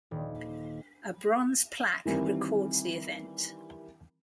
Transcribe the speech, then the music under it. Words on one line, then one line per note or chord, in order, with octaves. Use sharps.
A bronze plaque records the event.
D#1
D#3 E3 G3 C4 A#4